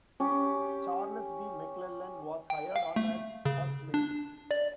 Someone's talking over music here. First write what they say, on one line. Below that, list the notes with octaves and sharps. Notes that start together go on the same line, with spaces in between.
Charles B. McLellan was hired on as first mate.
C#4 G4
G5
F5
A3
C#3
D4
D5